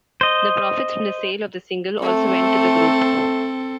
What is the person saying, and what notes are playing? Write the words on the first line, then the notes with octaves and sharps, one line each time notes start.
The profits from the sale of the single also went to the group.
C5 D#5
A3 C4 A4